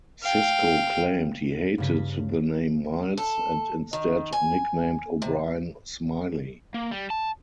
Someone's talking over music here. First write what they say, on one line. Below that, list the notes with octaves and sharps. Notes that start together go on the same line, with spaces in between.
Sisko claimed he hated the name Miles, and instead nicknamed O'Brien "Smiley".
F5 G5
G2 C#3 B6
A4
D#3
G#5
C3
A#3
G3
A5